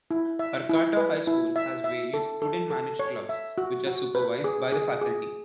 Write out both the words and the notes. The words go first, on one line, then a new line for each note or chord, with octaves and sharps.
Arcata High School has various student-managed clubs, which are supervised by the faculty.
E4
E5
E4
B4
E4
E5
E5
A4
A4
A4
C#5
E5
F#4
F#4
B4
G#4
G#4
G#4